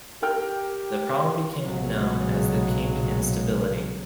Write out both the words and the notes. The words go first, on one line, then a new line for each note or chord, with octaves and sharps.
The problem became known as the "kink instability".
G4 A#4 G5 F6
B1 A#2 C#3 F#3 G#3